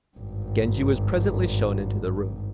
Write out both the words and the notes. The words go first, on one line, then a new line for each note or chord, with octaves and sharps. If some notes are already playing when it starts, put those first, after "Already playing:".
Genji was presently shown into the room.
G#1 G2